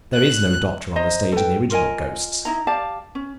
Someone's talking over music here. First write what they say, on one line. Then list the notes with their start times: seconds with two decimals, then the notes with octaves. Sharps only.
There is no doctor on the stage in the original Ghosts.
0.14 F#6
0.96 C5 D#5 A#5
1.32 A4 B4 G5
1.70 F4 A#4 D#5 G#5
2.45 D#4 E4 A#5
2.67 G4 D5 F5 A5
3.15 C#4